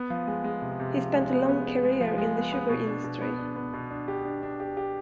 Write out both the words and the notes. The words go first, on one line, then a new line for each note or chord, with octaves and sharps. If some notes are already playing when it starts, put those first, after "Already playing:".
He spent a long career in the sugar industry.
Already playing: B3
F3
G#3
G#3
C3
C3
F3
G#3
B3
B3
B3
G#3
F3
G#3
B3
B3
B2
D4
B2
B3
D4
B3
B2
D4
G4
D4
D4
G4
G4